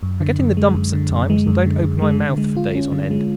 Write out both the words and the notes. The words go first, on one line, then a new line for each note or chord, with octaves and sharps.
I get in the dumps at times, and don't open my mouth for days on end.
F#2
D3
F#2
G#3
F#2
D3
F#2
G#3
F#2
D3
F#2
G#3
D3
G#3
F4
C#4
D3
G#3